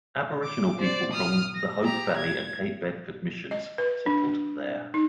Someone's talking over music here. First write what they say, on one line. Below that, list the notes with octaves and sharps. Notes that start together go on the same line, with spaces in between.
Aboriginal people from the Hope Valley and Cape Bedford Missions settled there.
D6
C5 D5
D#6 F6
A#6
G4 A#5
G#6
D#5
B4
D4
D#4